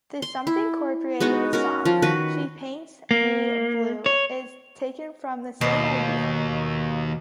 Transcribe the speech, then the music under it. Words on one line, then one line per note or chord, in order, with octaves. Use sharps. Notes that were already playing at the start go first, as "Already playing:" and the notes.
The Something Corporate song "She Paints Me Blue" is taken from the same idea.
C6
E4
G#3 B3 D#4 F#4
C#4 F#4 A#4
F3
D#3 F#4 B4
A#3
C#5
D#2 B2